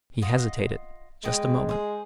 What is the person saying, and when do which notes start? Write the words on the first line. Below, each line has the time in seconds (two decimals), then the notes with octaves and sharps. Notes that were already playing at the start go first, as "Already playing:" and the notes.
He hesitated just a moment.
0.22 F4 D#5 F#5
1.24 G#3 B4 D#5 G5
1.69 G#4 C5